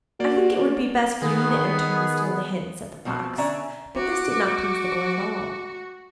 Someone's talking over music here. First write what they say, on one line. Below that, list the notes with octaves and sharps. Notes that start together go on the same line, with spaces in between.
'I think it would be best for me to enter and steal the hens,' said the fox; but this did not please the boy at all.
A#3 F#4 D5
D#3 B3 G#4
B2 F3 C4
D3 C#4 D5 E5 A#5
F#4 D6